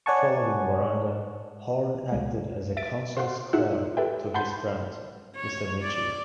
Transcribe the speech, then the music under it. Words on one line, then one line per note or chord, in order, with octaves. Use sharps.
Following Waranga, Horne acted as a "counsel's clerk to his friend, Mr Mitchie".
C#5 D5 F#5 G#5 A5 C#6
C#2 G#3
E5 A6 D7
C5 F5 F#5 C6
D#4 F4 F#4 G#4 E5 F#5
G4 A4 B4 E5 G5
F#5 A5 B5 C6 G6
C#5
D5